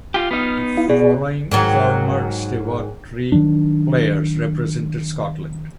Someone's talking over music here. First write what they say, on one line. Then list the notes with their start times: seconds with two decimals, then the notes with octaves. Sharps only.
The following former Stewartry players represented Scotland.
0.14 F4 G4 F6
0.31 B3 D#4
0.77 E4 F5
0.90 B2 G#4 D5
1.51 G#2 D#3 F#3
3.32 D#3 F3 F#3 D4